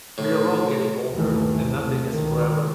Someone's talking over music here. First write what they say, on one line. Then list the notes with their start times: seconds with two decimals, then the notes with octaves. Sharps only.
We are all getting older, and nothing is forever.
0.18 A2
1.10 G1 D#2 D#3 E3 A3
1.63 C3 A3
2.12 C#2 D#3